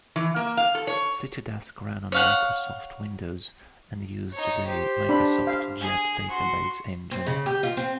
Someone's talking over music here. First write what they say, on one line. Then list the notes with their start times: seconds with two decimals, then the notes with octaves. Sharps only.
CityDesk ran on Microsoft Windows, and used the Microsoft Jet Database Engine.
0.16 E3
0.36 A#3
0.57 F5
0.75 A4
0.87 C#5
2.12 C#5 F5 F#5
4.33 D#4 C#5
4.66 G4 C5
5.09 D4 B5
5.47 F5
5.80 G#4 G#5
6.29 F#4 C6
7.11 C4
7.27 C#3
7.46 G4
7.63 F4
7.77 C4